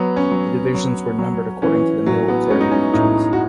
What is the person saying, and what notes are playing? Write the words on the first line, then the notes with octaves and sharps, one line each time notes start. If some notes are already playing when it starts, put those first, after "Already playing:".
The divisions were numbered according to the military regions.
Already playing: F#3 B3
C#4
F#3
F#3
F#3
E3 C#4
A2 F#3
B3
G#3 C#4
D#4
C#4
A2 D#4
F#4